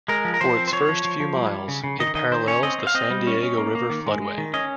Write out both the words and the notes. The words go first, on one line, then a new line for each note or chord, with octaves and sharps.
For its first few miles, it parallels the San Diego River floodway.
G#3 A#4
F3
A#4
F3 C5
C4
C5
F3 C#5
F3
F3
F3
G3
G3
C#3
C#3
D#3 D#5
D#3 D#5
D#3 C5
C#4 C#5
C4 D#5
C4
F5
C4 D#5
G3
C#4
C#4
A#3
A#3
D#3
G#3
G#3
D#3
C#4 D#5